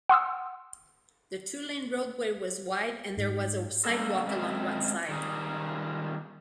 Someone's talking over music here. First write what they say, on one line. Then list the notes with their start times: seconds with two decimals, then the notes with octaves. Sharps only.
The two-lane roadway was wide, and there was a sidewalk along one side.
0.09 F#5 C6 D#6 E6
3.18 G#2
3.85 G3 A3 A#3 A4
4.27 G#3 C4 C#4 A4 B4 E5
5.09 D#3 G3 G#4